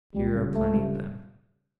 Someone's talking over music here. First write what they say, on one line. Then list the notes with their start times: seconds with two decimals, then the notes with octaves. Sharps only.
Here are plenty of them.
0.14 C#2 G3
0.35 C#3 G3
0.54 C#2 A3
0.74 C#3 G3